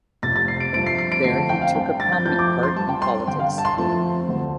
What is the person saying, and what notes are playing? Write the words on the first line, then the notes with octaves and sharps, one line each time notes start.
There he took a prominent part in politics.
F1 F2 C3 A6
A6
C7
D7
G2 F3 A3 C4 D7
C7
C7
D7
F2 D3 A3 C4 C7
A5
G5
F5
G2 G3 C4 G5
A6
G6
F2 F3 A3 C4 G6
D6
C6
G2 G3 C4 A5
G5
C6
G1 G2 D3 G5
F5
A5
C6
F2 F3 A3 C4 A5
D2 D3 G3 C4